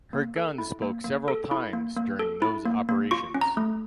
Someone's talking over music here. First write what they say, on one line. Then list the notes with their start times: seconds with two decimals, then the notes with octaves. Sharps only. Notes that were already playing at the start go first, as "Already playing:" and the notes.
Her guns spoke several times during those operations.
0.13 A#3
0.36 A4
0.58 E4
0.82 A#3
1.04 A#3
1.28 A4
1.51 E4
1.73 A#3
1.97 A#3
2.19 A4
2.42 E4
2.65 A#3
2.89 A#3
3.11 F4 C#6
3.34 C#4
3.41 A#5
3.57 A3